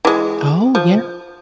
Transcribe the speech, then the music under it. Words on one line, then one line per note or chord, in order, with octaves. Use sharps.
Oh, yeah.
E3 G#3
F3